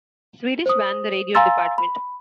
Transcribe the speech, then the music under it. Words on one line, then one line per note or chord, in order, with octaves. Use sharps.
Swedish band The Radio Dept.
C5 D#6
F5 G#5 A#5 C6 E6 A6
B5